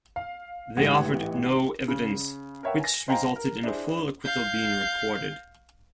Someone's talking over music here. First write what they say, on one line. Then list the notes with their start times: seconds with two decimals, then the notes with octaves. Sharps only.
They offered 'no evidence' which resulted in a full acquittal being recorded.
0.16 F5
0.77 A1 G#2 E3 G4 F#5 G#6
1.88 C#3
2.63 A#4 B4 C#5 E5 F#5 G5
2.80 G#5 A#6
3.08 C5 D#5 F5 G5 G#5 A#5
3.36 A#4
3.64 D4 E4 G#4 C5
4.25 F5 G6